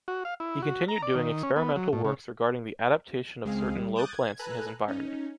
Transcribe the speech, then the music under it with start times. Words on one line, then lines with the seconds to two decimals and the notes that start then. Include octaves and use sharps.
He continued doing experimental works regarding the adaptation of certain low plants in his environment.
0.08 F#4
0.25 F5
0.40 E4
0.62 F#4
0.88 A#5
1.02 D5
1.15 D#3
1.43 C#4
1.56 B3
1.76 F#3
1.93 A2
2.05 C#3
3.45 C#2 G#3 C4 G#4 F5
3.76 G3
3.96 D6 D#6 F#6 G6 A6
4.11 G#6
4.39 A4 B4 G#5 A#5 F#6
4.88 C#4 D#4